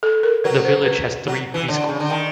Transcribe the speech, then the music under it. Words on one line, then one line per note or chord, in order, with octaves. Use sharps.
The village has three Preschools.
A4
A#4
F#3 B4
C5
B4
F#3
E3
D3 C#5
C#3
D3
D#3